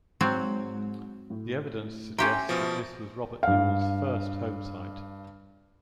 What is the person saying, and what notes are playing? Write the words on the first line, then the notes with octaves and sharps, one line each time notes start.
The evidence suggests that this was Robert Newell's first homesite.
G#2 F#3 C4
A2
C#4 G4 E5 G5 G#5 A#5 C6
B2 F3
G2 F5